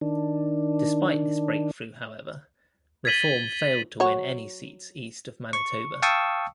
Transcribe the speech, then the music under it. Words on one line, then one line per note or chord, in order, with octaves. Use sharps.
Despite this breakthrough, however, Reform failed to win any seats east of Manitoba.
D#3 D4
G#6 A6 B6 D#7 F#7 G7
F#3 F#4 C#5
C#6
F5 G5 A5 C#6 D#6 E6